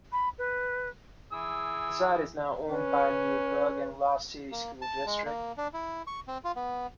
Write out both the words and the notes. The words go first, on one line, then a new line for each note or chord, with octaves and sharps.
The site is now owned by the Newburgh Enlarged City School District.
B5
B4
E3 G#4 E6
C#4 B4
A#3
A5
G#3
A#3
D4
E4
C#6
C4
F4
B3